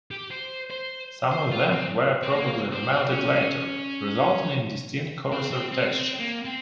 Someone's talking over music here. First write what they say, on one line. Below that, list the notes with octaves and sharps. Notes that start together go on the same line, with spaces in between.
Some of them were probably remelted later resulting in distinct coarser textures.
G4
C5
C5
C5
F4
C4
C4
A#3
C4
C#4
C4
C4
C4
C4
A#3
C4